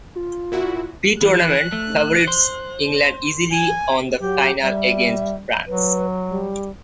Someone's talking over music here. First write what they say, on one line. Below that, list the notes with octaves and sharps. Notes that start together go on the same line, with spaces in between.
Pre-tournament favourites England easily won the final against France.
F4
A#2 E4 F#4
E3 F#6
A3
C5
G#5
F#3 G4
G3 E5
F#3 B4
G3